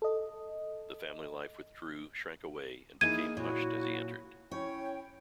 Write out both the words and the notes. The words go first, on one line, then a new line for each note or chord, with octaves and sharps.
The family life withdrew, shrank away, and became hushed as he entered.
A4 D#5
A#3 D#4 E4 G#4 D#6 G#6 D#7
A#2 F#3 E4 F#4
C#4 E4 C#5 G5